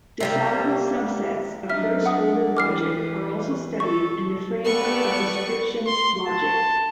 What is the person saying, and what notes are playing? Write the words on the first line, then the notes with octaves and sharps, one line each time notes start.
Decidable subsets of first-order logic are also studied in the framework of description logics.
C3 G3 A#3
F#3 D4 D#4 E5 F6 B6
D4 F#5 D#6
E3 D6 F6 C7
A4 C#6
B3 G4 A4 B4 D5 C#6
C6
A5